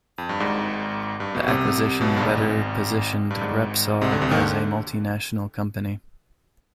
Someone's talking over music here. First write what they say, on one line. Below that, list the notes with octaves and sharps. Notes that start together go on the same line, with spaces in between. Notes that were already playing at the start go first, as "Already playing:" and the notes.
The acquisition better positioned Repsol as a multinational company.
F2
G2
G#1 G#2
G2
B1 B2
C2 C3
B1 B2
G2
G#1 G#2
G2
G#1 G#2
C2 C3
D2 D3
C2 C3
D#2 D#3
D3